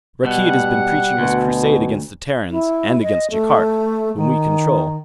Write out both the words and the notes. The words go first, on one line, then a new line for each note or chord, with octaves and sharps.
Rakkeed has been preaching this crusade against the Terrans, and against Jaikark, whom we control.
B2 G3 F#5
D2 B2
E4
D#5
A3
D#3